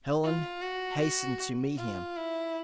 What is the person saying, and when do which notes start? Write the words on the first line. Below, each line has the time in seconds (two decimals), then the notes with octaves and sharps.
Helen hastened to meet him.
0.24 F4
0.62 F#4
1.01 F#4
1.78 F4
2.17 E4